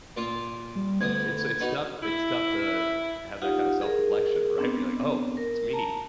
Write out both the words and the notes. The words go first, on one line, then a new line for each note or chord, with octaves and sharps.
It's a it's tough it's tough to have that kinda self-reflection, right, when you're like, "Oh, it's me."
A#2 A#3 F4
G3
D2 B3 D#6 G#6
B3 D#4 F#4
E4
D#4 F4 G4 F5 F#5
G#4 A#4
B3 C4 D4
A#4
A5 A#5